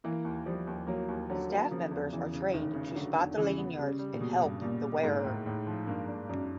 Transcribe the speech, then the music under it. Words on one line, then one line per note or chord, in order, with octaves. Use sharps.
Staff members are trained to spot the lanyards and help the wearer.
E3 A#3
D#2
F3 G3
D#2
F#3 A#3
D#2
D3 F#3
A#3
C#3 F3
E2
C#3 E3
C#3
F1 D#3
C#3
D3 F#3
E2
C#3 E3
B3
C#3 G3
G3
A#2
B2 G3
G2
A#2 G3
G3
G#2 A#3
A2
A2
F3
G2 A#3
D4
F#2 D4